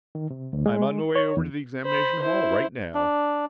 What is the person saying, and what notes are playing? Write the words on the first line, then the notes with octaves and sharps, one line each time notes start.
"I'm on my way over to the examination hall right now."
D#3
C3
D2
G#3
C#5
E2
C5 B5
E4 C5
D4